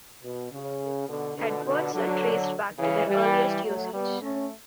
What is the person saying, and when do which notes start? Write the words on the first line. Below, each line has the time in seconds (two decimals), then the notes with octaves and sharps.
Headwords are traced back to their earliest usage.
0.23 B2
0.51 C#3
1.08 B2 D3
1.37 B2 D3
1.65 B2 D3
1.94 D3 F#3
2.79 C#3 E3
3.07 E3 G3
3.64 F#3 A3
3.93 G3 B3
4.21 A3 C#4